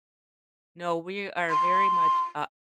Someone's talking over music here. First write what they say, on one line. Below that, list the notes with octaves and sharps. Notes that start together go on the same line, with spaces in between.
No, we are very much up.
C6